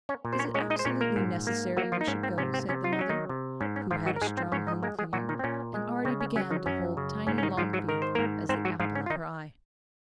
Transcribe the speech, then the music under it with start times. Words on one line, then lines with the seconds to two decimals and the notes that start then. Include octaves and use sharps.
"Is it absolutely necessary we should go?" said the mother, who had a strong home-clinging, and already began to hold tiny Longfield as the apple of her eye.
0.09 C#4 C#5
0.25 A#2
0.33 C5
0.39 C#4 C#5
0.54 G#3 C#4 C#5
0.70 D#4 D#5
0.79 C5
0.85 A#2 C#4 C#5
1.01 A#3 A#4
1.16 G#2
1.47 A#3
1.77 F#3 A#3 F#4
1.92 F3 F4
2.01 D#4
2.07 G#2 C#4
2.23 C4
2.38 C3 C#4
2.54 C4
2.69 C3 C#4
2.84 F4
2.93 D#4
2.99 F#3 C#4
3.09 D#3 D#4
3.29 C3
3.61 G#2 C#4
3.76 C#4
3.91 G#2 F3 F4
4.06 F#3 F#4
4.16 A#4
4.22 G#2 G#3 G#4
4.37 C4 C5
4.52 G#2 C#4 C#5
4.67 D#4 D#5
4.83 G#3 A#3 A#4
4.99 G#3 G#4
5.13 A#2 F#3 F#4
5.29 D#3 D#4
5.39 C4
5.44 A#2 C#4
5.74 G#3
6.05 C#3 C4
6.21 C#4
6.36 F#3 C#4
6.51 D#3 D#4
6.66 F#2 C#4
6.97 C#3
7.27 G#2 C#4
7.38 C#4
7.43 D#3 D#4
7.57 G#2 F3 F4
7.73 F#3 F#4
7.89 D#3 A#4
8.02 C5
8.15 G#2 A#3 A#4
8.49 G#2 C4 C5
8.65 F#3 F#4
8.80 G#2 F3 F4
8.95 C#4
9.06 F4
9.10 D#3 D#4